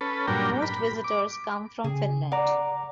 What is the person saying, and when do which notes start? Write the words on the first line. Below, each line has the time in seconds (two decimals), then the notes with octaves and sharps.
Most visitors come from Finland.
0.01 C#4 A4 B4
0.27 G2 A#2 F#3 D4 A#4 G5
0.62 B5
1.04 D6
1.84 C#3 G#4
2.32 D5 F#5 A#5